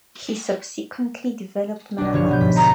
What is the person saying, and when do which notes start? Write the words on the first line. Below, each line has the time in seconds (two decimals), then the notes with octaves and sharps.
He subsequently developed melanomas.
1.98 B1 D4
2.13 G1 F3 C#5
2.29 B2 B3 G6
2.40 G#2 B6
2.57 A#5